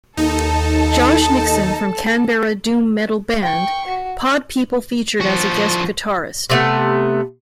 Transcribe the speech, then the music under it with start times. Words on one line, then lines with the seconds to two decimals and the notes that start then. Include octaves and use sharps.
Josh Nixon from Canberra doom metal band, Pod People featured as a guest guitarist.
0.17 D#2 D#4 A4 A5
3.42 G5 C#6
3.87 F#4
5.21 F3 F#4
6.50 C3 A3 B3